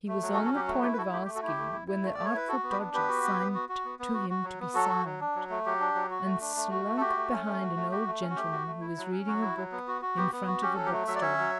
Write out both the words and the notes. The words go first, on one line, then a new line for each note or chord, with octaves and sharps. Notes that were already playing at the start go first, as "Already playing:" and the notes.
He was on the point of asking, when the Artful Dodger signed to him to be silent, and slunk behind an old gentleman who was reading a book in front of a book-stall.
A3
F#3
F#4 A4
C#4
F#4 A4
F#3 G4
A3 F#4
E4 G4
B4
E4 F#4 A4
A3 G4
G4
A3
F#4 A4
E4 G4
A3
E4
E4
A3
A3 D5
C#5
E4 B4
F#4 A4
B3
G4 B4
D4
B3 G4 B4
F#4
B3
B3
F#4
F#4
B3
B3
F#4
F#4
F#3
B3
F#3 F#4 A4
F#4
F#3
D4
F#3
A3
F#3 G4
D4
F#3
F#4
A3
D4
A3
F#4
A3
A4
F#4 G4
A3
C#4
A3
F#4
A3
F#4 G4
A3
C#4
F#4
A3 G4
F#4
A3
E4
F#3
C#4
F#3 F#4
E4
F#3
B3
F#4
F#4
B3 G4
B3
F#4
C#4 G4
F#3 A4
G4
A3
F#3 E5
D5
C#4 C#5 E5
F#3